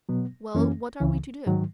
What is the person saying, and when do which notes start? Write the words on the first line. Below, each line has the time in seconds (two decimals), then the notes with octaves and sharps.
"Well, what are we to do?"
0.09 B2 F#3 B3
0.55 F#2 E3 A#3 C#4
1.00 C#2 C#3 E3
1.46 G#2 D#3 F#3